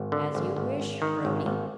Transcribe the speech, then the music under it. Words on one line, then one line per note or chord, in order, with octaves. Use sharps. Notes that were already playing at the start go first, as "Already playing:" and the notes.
"As you wish, Brodie."
Already playing: G#1
D3
G#1
G#1
G#1
D#3
G#1
G#1